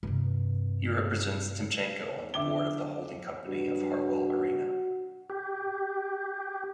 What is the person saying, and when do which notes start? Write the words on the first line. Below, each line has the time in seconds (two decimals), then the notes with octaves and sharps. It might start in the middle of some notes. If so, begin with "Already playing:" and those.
He represents Timchenko on the board of the holding company of Hartwall Arena.
0.03 G2 C3
2.34 D3 E5 D6 G7
3.47 G2 F#4
5.30 G4